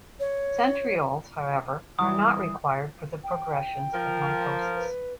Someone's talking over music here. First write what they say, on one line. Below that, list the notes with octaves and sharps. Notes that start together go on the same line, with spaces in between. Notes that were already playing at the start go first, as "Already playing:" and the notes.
Centrioles however, are not required for the progression of mitosis.
C#5
E3 G3 D#6
G5
F3 A#4
B4